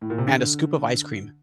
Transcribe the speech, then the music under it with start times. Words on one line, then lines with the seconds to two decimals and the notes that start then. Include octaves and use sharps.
and a scoop of ice cream.
0.01 A2
0.10 A#2
0.18 C3
0.27 D3